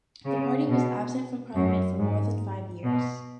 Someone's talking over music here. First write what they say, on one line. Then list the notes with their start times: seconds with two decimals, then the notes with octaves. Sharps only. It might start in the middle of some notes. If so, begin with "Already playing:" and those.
The party was absent from parliament for more than five years.
0.25 C#3
0.68 B2
1.55 F#2
1.98 G#2
2.84 B2